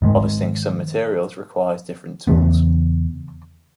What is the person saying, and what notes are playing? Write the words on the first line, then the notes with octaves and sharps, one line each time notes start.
Harvesting some materials requires different tools.
G#2 D#3 G#3
E2 C#3 E3 B3